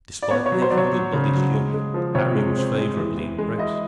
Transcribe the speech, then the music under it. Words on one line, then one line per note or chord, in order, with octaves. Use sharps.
Despite Nathan Goodbody's youth Harry was favorably impressed.
D5
B3 C#5
C#5
F#3
C5
F#3 D5
C#5
F#3
C#3
F#3
G#3
G#3
F3
C3 C#5
G#3
C4
G#3
E3
E3
G#3
E4 D#5